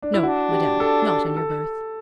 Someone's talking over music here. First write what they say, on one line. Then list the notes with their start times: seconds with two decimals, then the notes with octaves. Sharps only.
"No, madame, not in your berth."
0.02 D4
0.14 E4
0.23 D4 F#4
0.51 G4
0.80 A4
1.37 A4